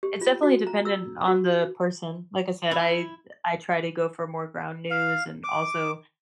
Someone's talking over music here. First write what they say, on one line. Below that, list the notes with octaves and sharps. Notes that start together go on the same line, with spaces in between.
It's definitely dependent on the person. Like, I said, I I try to go for more Ground News, and also,
G4
F4
F#4
A#5
E6
F#4
E4
F5
D6